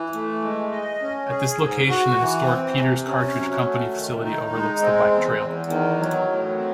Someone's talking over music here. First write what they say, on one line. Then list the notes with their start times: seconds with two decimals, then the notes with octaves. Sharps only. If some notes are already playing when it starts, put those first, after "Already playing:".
At this location the historic Peters Cartridge Company facility overlooks the bike trail.
Already playing: E3
0.14 A3
0.43 G#3
0.72 D#5
1.02 C#4
1.31 G#4
1.61 G#2
1.89 F#4
2.19 E3
2.48 C4
2.78 C3
3.06 C#4
3.36 F#3
3.65 A3
3.94 D#3
4.23 D#4
4.53 G#3
4.81 C4
5.11 E2
5.40 E2
5.70 D#3
5.99 F#3
6.28 A2
6.58 C4